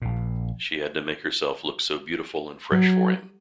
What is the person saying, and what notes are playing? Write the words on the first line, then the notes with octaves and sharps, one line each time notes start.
She had made herself look so beautiful and fresh for him.
A#1 A#2
F#3